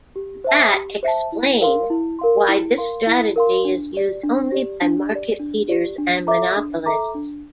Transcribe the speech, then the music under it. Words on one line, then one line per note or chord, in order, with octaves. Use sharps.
That explain why this strategy is used only by market leaders and monopolists.
G4
C5 E5 A5
G4
C5 E5 A5
E4
A#4 F5 C6
E4
A#4 F5 C6
E4
A#4 F5 C6
E4
A#4 F5 C6
D4
G4 D5
D4
G4 D5
D4
G4
D5
D4
G4 D5
D4
A4 E5 A#5 D6
D4
A4 E5 A#5 D6
D4